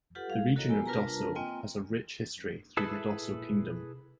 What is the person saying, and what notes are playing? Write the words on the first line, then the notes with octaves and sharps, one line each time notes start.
The region of Dosso has a rich history through the Dosso Kingdom.
F4 G4 A4 B4 F#5
G#4 F5
F#4 A4 A#4 C#5 D#5 A#5
B3 E4 G4 G#5
D4 F4 A#4 B4 A5 A#5
A#3 C4 F4 D#5 G5 G#5
E4 G#4 A4 B4 E5